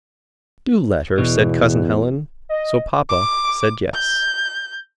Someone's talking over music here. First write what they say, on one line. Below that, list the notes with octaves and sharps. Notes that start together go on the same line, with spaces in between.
"Do let her!" said Cousin Helen, so Papa said "Yes."
E2 B2
D#5
D6
G6